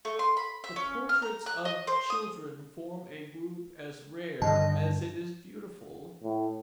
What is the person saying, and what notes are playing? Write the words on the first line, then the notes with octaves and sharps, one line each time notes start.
The portraits of children form a group as rare as it is beautiful.
A3
C6
B5
E5
C#4
F6
A#5
F#6
D#5
C5
D#6
G2 D3 D#3 D#5 A5
A2